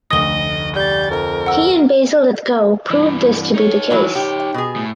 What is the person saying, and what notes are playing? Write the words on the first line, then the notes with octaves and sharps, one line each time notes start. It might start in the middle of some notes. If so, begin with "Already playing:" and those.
He and Basil Lythgoe proved this to be the case.
F1 D2 D#5 D#6 A#6 G7
G3 G6 A6
F2 A#4
F#5 E6
G2 E3
D#4 C#5
E3 F#3 E4
G4
B2 G#4
A2